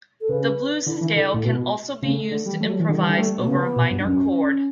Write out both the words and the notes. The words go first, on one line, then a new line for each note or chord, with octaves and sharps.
The blues scale can also be used to improvise over a minor chord.
A4
C#3 B4
D3 E4
D4
E3
E4
D3
A2
B2
C#3 A3
D3
G3
E3
F#3 A3
G3
E3
A3
D3 G3
E3
D3
A3
B2 A3
C#3 B3
B2
G2
D4
F#2 C#4